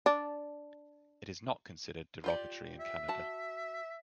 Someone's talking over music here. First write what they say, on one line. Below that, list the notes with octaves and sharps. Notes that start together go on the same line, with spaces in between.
It is not considered derogatory in Canada.
D4
F4 G4 D5
E5
F#4 A5